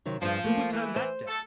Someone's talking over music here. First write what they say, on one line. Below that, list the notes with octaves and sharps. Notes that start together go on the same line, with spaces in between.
Who would turn that down?
C3 D#3 F#3
G2 F3 G#4
A3 A#3
E3
C5
A4